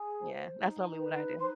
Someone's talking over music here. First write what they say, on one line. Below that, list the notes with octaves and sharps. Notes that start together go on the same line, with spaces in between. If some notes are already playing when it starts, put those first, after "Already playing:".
Yeah. That's normally what I do.
Already playing: G#4 G#5
C5
D#4
B4
D#4 C5 C6